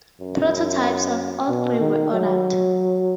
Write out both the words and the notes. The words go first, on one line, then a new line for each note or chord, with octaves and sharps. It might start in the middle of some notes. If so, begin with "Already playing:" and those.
Prototypes of all three were ordered.
F#2
B2
D#3
F#3